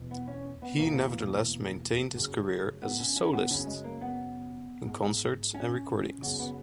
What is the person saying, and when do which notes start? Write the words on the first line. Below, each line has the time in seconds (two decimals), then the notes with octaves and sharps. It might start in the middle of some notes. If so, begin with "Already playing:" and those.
He nevertheless maintained his career as a soloist in concerts and recordings.
Already playing: E2 B2
0.11 B3
0.28 C#4
0.62 B3
0.79 E2 B2 A#3
2.15 F#2 C#3
2.82 B3
3.00 C#4
3.16 C#4
3.33 B3
3.51 F#2 C#3 C#4
3.67 G#3
3.84 A#3
4.01 B3
4.86 G#2
5.54 C#4
6.22 F#2 C#3 B3
6.39 B3